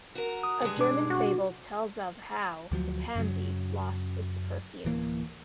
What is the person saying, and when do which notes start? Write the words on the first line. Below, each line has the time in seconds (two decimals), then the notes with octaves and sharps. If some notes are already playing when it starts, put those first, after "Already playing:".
A German fable tells of how the pansy lost its perfume.
0.15 F#4 A#4
0.43 D#6
0.61 G2 G#3
0.77 B2 D4 D6
1.10 F#4
2.72 D2 F3 F#3
3.15 F#2 C#3 F#3
4.85 D1 E3 A#3